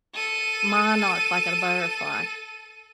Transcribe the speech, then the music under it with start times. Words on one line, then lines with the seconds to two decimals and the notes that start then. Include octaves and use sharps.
Monarch, like in a butterfly.
0.15 A4 D#7